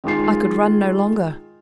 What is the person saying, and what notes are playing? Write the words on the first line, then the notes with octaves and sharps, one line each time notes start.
I could run no longer.
D#3 G#3 F4 C7